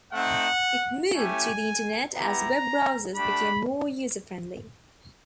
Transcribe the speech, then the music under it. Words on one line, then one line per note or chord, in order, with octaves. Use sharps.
It moved to the internet as web browsers became more user-friendly.
A3 C4 D#4 F#5
A3 C#4 E4 G4 G#5
B3 E4 G4 A#5
A3 D4 G4 B5